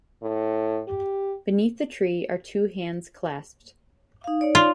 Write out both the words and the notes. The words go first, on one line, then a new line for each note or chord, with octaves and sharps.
Beneath the tree are two hands clasped.
A2
G4
D#4 F5
D#4 C#5 D5
F4